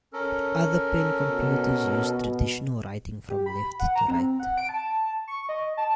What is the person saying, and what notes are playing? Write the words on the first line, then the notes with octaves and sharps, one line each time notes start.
Other pen computers used traditional writing from left to right.
C#4 A4 A#4
B2
G4
B5
F#5
A#5
C4
F#5
D7
A5
C#6
D#5
A5